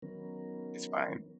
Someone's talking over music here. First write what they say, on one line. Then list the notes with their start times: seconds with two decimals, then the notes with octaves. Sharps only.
it's fine.
0.02 D#3 F#3 B3 C#4 A#4